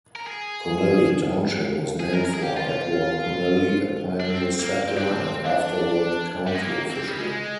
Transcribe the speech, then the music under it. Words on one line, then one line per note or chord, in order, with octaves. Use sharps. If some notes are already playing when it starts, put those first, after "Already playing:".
Connelly Township was named for Edward Connelly, a pioneer settler and afterward county official.
A#4
G#4
G#4
A#4
A#4
G#4
G4
F4
D4
C4
A#3
C4
D4
C4
D4
G3
G#3
A#3
C4
G3
G#3